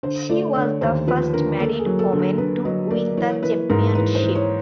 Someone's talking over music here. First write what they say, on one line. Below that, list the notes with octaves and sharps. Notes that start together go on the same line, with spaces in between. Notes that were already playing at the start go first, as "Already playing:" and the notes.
She was the first married woman to win the championship.
D3 C5
A3 D5
D3 C#5
D#2 C5
F3 B4
D3 A#4
A#3 A4
G#4
F#3
A4
D3
A#4
D3 B4
F#3 D#5
A#3 D5
E3 C#5
E3 B4
G#2 A#4
E3 B4
C5
E3
C#5